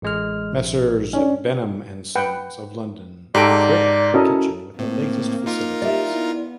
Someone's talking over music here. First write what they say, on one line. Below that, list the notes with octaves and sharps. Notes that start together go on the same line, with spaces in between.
Messrs Benham and Sons of London equipped the kitchen with the latest facilities.
A1 G#3 F6
A#1
C#4 D4
B4 F#5 G5
G#2 G4 A4 D5 A#5 D7
C#4 E4 F#4 A4 A#4 D#5
A2 A#3 C4
D#4 F4 A#4
G4 D5 E5
B3 E4